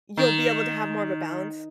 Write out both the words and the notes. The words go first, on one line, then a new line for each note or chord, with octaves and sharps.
you'll be able to have more of a balance.
D#3